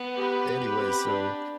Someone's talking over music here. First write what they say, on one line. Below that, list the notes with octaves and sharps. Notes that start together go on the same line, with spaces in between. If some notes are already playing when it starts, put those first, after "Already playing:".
anyway, so,
Already playing: B3
G4 B4
C4
D4